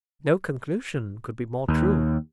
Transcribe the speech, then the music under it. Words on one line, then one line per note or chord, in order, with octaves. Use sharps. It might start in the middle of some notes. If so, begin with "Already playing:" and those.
No conclusion could be more true.'
D#2